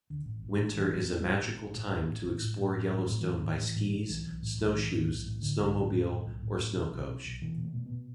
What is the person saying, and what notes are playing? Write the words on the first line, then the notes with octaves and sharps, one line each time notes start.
Winter is a magical time to explore Yellowstone by skis, snowshoes, snowmobile, or snowcoach.
D3
A1
A1
A1
A1 E3
D4
A1 C4
B3
A1 A3
G3
A1
A1 A3
A1
A2
A1
A1
A1
A2
A2
A1
A2
F3
A2
E3
A2
A2 E3
A1 E3
A2
A1
B1 E3
B1
A2
B1
A2 E3
A2
B1
A2
A2 D3
B1
A2
A2
A2
B1
A2
A2
B2
B1
B2
B1
B2 E3
B2
A3
B2
B3
B2